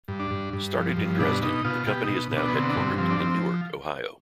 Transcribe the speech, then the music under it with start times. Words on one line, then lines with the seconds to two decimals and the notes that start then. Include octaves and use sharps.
Started in Dresden, the company is now headquartered in Newark, Ohio.
0.08 G2
0.20 D4
0.31 G2
0.53 G2
0.75 F3
0.97 G2
1.20 B2 D4
1.42 B2 D#4
1.65 B2 F4
1.87 B2 G4
2.04 D#4
2.09 B2
2.32 B2
2.37 D4
2.48 B3
2.54 D3 C4
2.69 D4
2.76 G2 C4
2.98 F3 C4
3.10 D4
3.20 F3 C4